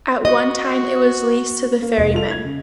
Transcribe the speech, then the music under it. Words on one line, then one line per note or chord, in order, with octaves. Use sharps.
At one time it was leased to the ferrymen.
F#4 D#5
A#3
F1 D#5
F4 A4 F7
G#6
C#3